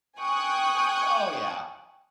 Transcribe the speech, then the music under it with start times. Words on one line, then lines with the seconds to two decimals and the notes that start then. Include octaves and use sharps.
Oh yeah,
0.20 G5 G#5 C#6 D#6 F#6